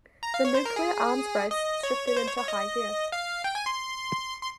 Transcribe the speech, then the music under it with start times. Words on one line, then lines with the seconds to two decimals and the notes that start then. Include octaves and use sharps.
The nuclear arms race shifted into high gear.
0.23 A#5
0.34 F5
0.45 C#5
0.55 C5
0.65 A#4
0.76 G#4
1.51 D#5
1.83 C#5
2.08 C#5
2.16 C5
2.27 C#5
2.37 C#5
2.48 D#5
3.12 F5
3.44 G5
3.55 G#5
3.66 C6
4.42 C6